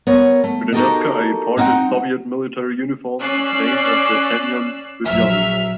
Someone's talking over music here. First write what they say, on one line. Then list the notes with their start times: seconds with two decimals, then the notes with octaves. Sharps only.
Budenovka, a part of Soviet military uniform, is named after Semyon Budyonny.
0.07 B3 A#4 C#5
0.44 A3
0.72 D#4 F#4 G4 A4 A#4 D#5
1.57 G#3 C4 D#4 E5 F#5 G5
3.20 C#4 D5 E6 F#6 C7
5.05 A#1 F#3 E5 F6